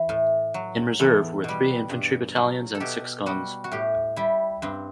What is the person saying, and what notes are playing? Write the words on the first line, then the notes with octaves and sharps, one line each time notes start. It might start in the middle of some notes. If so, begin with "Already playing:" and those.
In reserve were three infantry battalions and six guns.
Already playing: E3
A2
F#3
E2 A4
B2 G3
G2
F#3
A4
B2 G4
G3 F#4
F#4
A2 G4
G3 E4
G2 C4